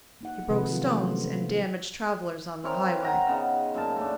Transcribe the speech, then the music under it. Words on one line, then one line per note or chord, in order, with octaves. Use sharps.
He broke stones and damaged travellers on the highway.
A#3 D#4 F#5
C3 D#3 F3 G#3 A4 B4
D#3 F3 F#3 G#3 F4 F#4
E3 F3 G3 A3 A#3 C#4
E3
C4 E4 A#4 C#5
F#5 G5 A#5
C#3 B3 D#4
F#2 A#2 A5
A3 D4